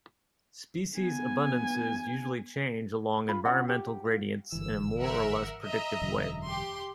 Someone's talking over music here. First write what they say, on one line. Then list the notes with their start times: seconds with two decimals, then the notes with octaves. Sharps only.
Species abundances usually change along environmental gradients in a more or less predictive way.
0.95 B3 G#5
3.28 F4 B5
3.45 C#4 F4 F#5
3.68 G4
4.05 F4
4.52 G1 E3 E6
5.01 A#4 E5 F#5
5.65 D#5 E5 A#5
6.02 E1 F#2 D3
6.45 G4 C6